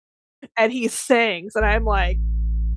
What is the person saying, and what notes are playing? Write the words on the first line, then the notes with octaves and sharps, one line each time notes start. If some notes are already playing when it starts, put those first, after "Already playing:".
and he sings, and I'm like,
A1